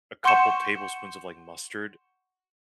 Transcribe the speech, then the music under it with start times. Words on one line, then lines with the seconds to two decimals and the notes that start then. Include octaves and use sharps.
a couple tablespoons of, like, mustard
0.24 F#5 C6 C#6 G6 C#7 E7